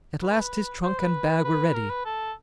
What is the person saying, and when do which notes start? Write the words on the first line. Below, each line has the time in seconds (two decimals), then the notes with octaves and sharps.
At last his trunk and bag were ready.
0.22 B4
0.83 C5
0.99 B4
1.45 B4
1.75 A#4
1.90 B4
2.05 A4